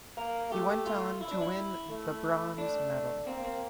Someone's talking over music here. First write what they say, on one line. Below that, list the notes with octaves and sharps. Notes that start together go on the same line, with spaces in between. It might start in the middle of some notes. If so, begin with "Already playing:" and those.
He went on to win the bronze medal.
A#3 A#4
A3 G4
F4
E4
D4
E4
A3
A3 D4
A#3 C4
C4